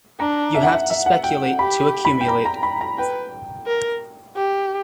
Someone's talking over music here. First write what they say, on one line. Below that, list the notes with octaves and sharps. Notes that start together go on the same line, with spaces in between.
You have to speculate, to accumulate.
D4 A#5
E5
F#5
E5
E5
F#5
G5
G4 B5
B5
G5
A#5
A#5
B5
A#5
B4 G5
A#4
G4